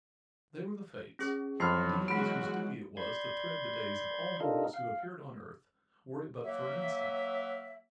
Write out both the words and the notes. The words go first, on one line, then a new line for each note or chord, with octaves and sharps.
They were the Fates, deities whose duty it was to thread the days of all mortals who appeared on earth, were it but for an instant.
C#4 G#4
F2 E3 F#3 B3 C6 F6 C7
G#3 F#4 B5 B6 D7
D5 B5 C6 G6 G#6
D4 D#4 F4 A4 A#4 D#5
F5
F#3 A#3 E5